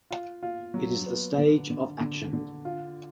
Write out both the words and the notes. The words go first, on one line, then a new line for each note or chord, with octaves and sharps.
It is the stage of action.
F4
F4
F#3
B3
D3
D3
D3
D3
F4